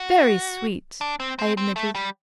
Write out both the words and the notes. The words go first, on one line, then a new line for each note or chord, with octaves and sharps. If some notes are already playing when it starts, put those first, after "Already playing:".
'Very sweet,' I admitted.
Already playing: F#4
D4
C4
C4
C4
A3
G3